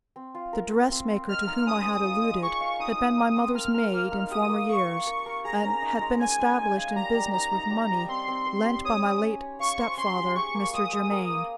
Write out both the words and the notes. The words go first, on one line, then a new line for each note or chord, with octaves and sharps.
The dressmaker to whom I had alluded had been my mother's maid in f ormer years, and had been established in business with money lent by my late step-father, Mr. Germaine.
C4
F4
A#4
C4
C4
C4
D#5 F6
D#4
C#4 D#6
C5
F4
D#5
G#4 C#6
F5
D#4 D#6
D#4
D#4
C4
A#4 F6
A#4
A#3
D#4
G4 D#6
A#3
F5 C#6
F5
A#4
A#4
G#4 A#5
C#4
D#4
G#3
C#4 G#5
G#3
D#4
F5
G3 A#5
G3
D#4 A#5
D#4
G3
G3
C4 C6
C4
C5
G4
C#5 D#6
C#4
C#4
C#5
F5 C#6
C5
C#4 C6
G4
G#4 C#6
A#3
G#3 D#6
G#3
A#4
A#3